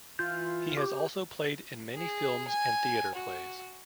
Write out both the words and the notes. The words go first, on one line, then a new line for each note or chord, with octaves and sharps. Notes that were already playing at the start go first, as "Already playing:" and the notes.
He has also played in many films and theater plays.
E3 F4 G6
G4
G#4
G#5
F#4